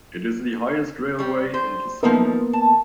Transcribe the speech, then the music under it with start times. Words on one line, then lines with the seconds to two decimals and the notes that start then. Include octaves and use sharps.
It is the highest railway in Ticino.
1.19 G3 C#5
1.54 C5
2.03 F3 A#3 B3 D#4 A#4 E5
2.53 A5